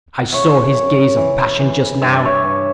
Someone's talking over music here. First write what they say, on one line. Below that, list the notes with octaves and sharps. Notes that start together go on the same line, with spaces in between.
I saw his gaze of passion just now.
F#5
C#3 C#5 E5
F#2
E3
E3
G2 E5
D5
C#5 E5
G2